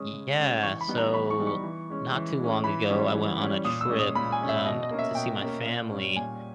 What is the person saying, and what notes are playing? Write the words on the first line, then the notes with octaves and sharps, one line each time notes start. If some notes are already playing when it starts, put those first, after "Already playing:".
Yeah, so, not too long ago, I went on a trip, um, to see my family,
Already playing: G#3 C#4 D#6
C#3
G#3 C#4
E3 C#6
B5
G3 B3 D#4
A#5
E3 B5
C#6
G3 B3 D#4
C#6
E3
G#3 C#4
E3
G#3
C#4
E3 B5
G3 C#4
E3
G3 C#4
A#2 D#6
E6
G#3 C#4
D#6
A#2 B5
G#5
G#3 C#4
E5
B2 D#5
D#5
A#3 C#4
E5
B2 G5
A#3 C#4
A#2
G3 C#4
A#2 G#5